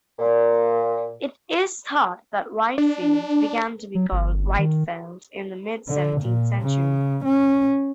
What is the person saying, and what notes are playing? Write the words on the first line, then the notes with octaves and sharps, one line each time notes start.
It is thought that Whitfield began to be called 'Whytefeld' in the mid-seventeenth century.
A#2
D4
F#3
G1
D#3
D3
A#2
C#3
C#4